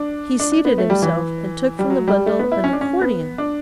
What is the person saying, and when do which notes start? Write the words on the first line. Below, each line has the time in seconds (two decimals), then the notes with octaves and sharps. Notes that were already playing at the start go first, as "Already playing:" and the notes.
He seated himself and took from the bundle--an accordion!
Already playing: D4
0.40 D4
0.52 D4
0.65 B3
0.78 A3
0.90 G3
1.02 E3
1.79 G3
1.90 F#3
2.08 G3
2.26 A3
2.39 B3
2.52 E4
2.64 C#4
2.73 D4
2.81 C#4
3.01 B3
3.38 D4